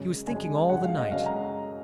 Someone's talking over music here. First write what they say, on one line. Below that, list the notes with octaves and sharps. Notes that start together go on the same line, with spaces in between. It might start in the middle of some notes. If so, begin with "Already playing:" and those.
He was thinking all the night.
Already playing: F#2 C#3 G#3
F#2 C#3 G#3 G#5
F#2 C#3 G#3 F#5
F5
D#5
F#2 C#3 G#3 F5
A#5